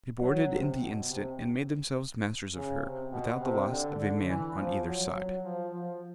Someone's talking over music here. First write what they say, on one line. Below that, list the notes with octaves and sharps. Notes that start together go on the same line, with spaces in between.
They boarded in the instant, and made themselves masters of her, without the loss of a man on either side.
F#3
C3
B2
C3
C#3
C3
B2
C3
D3
D3
E3
F3
F#3
F#3
F3
F3